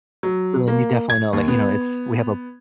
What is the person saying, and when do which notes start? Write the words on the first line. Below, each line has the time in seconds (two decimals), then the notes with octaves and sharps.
So then you definitely know, like, you know, it's we have a
0.23 F#3
0.68 A#3
1.10 G#6
1.33 D#2
1.48 B3